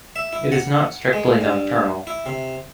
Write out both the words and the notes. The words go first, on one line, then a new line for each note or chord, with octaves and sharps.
It is not strictly nocturnal.
E5
E4
F#5
G#3
G2
E4
C3